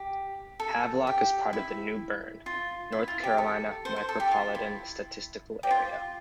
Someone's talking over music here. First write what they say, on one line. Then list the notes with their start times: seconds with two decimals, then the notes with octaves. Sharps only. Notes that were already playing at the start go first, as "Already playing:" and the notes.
Havelock is part of the New Bern, North Carolina Micropolitan Statistical Area.
Already playing: G4
0.60 A4
1.07 G4
1.53 E4
2.46 F4
2.92 E4
3.08 F4
3.24 G4
3.38 A4
3.85 C5
3.96 C5
4.09 A4
4.20 G4
4.32 F4
4.55 E4
5.63 G4
5.71 F4